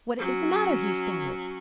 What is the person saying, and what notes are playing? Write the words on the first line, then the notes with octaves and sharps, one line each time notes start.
"What is the matter?" he stammered.
F#3 C#4